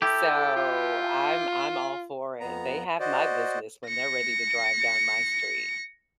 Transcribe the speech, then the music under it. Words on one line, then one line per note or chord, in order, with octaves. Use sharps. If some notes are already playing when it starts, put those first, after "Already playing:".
So I'm I'm all for it. They have my business when they're ready to drive down my street.
E4 G4 A4
F4
F2 B3 A#5
F#4 C5 D5 D#5
A#6 C#7